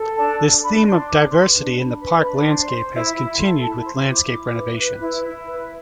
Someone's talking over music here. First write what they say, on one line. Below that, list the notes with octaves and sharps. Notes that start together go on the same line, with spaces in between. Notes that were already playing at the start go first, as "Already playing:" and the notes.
This theme of diversity in the park landscape has continued with landscape renovations.
Already playing: A4
D4 A5
D4
D4 B5
D4 C6
B4 D6
B4 C6
D4 C6
D4 B5
B4 B5
D4 B5
C5 C6
C5
E4
E4
A4 C6
E4 A5
C5 C6
E4 D6
E4
B4
B4
E4
E4
B4